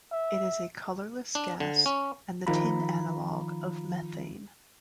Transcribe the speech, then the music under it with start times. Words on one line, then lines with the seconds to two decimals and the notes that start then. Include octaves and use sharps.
It is a colourless gas and the tin analogue of methane.
0.12 E5
1.35 D4
1.60 D3
1.86 C#4
2.47 D#3 F3 F4 A#5 B5